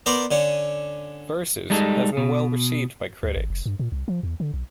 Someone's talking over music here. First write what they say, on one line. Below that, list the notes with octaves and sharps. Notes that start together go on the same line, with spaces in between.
"Versus" has been well received by critics.
B3 A#4 C5 D5
D3 C#4
G3 G#3 D#4 A4
B2
D2
G#1
F1
G2
A#2
C2
F3
E2
D3
B1